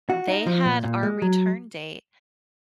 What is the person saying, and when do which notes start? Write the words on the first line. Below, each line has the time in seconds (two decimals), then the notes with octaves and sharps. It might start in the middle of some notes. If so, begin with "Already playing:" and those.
they had our return date
0.10 F#4
0.28 D#4
0.47 F3
0.65 A#2
0.85 A#2
1.03 G#3
1.22 F#3